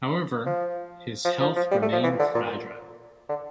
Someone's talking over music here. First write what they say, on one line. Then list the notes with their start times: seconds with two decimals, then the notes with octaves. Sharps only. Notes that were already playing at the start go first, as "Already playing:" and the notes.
However, his health remained fragile.
0.46 F3
1.25 F3
1.40 F3
1.56 F3
1.71 G3
1.82 A3
1.93 F3
2.03 E3
2.19 D3
2.35 A#2
3.29 D3